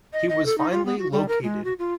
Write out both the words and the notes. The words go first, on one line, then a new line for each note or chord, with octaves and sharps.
He was finally located.
D#5
D#5
A4
D#4
F4
B3
F#4
G3
A#4
G#3
F#4
F4